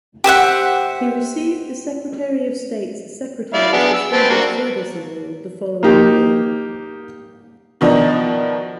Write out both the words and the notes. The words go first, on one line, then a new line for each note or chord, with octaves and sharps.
He received the Secretary of State's Secretary's Distinguished Service Award the following year.
G4 C5 E5 F#5
E4 D5 F5
B3 D4 G#4
E6
C4 B4 A5
A#3 D4 F#4
A#3 D#4 G4
B2 D#3 F3 D4 D#4